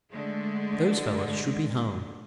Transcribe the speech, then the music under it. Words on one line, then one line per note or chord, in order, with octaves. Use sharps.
Those fellows should be hung.
D3 G#3 A3